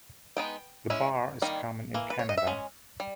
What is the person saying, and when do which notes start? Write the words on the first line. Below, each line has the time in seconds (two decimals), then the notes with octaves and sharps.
The bar is common in Canada.
0.37 G#3 B3 D#4 G5
0.90 G#3 C#4 E4
1.42 D#3 G3 A#3
1.94 E3 A#3
2.10 B4
2.19 C#5
2.29 D#5
2.37 E5
2.47 G#3 C#4
3.00 G3